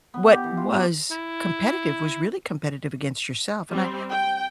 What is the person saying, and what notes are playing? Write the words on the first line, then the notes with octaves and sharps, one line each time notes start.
What was competitive was really competitive against yourself. And I
B3
G4
E3
F4
C#4
E4
G3 C4
G5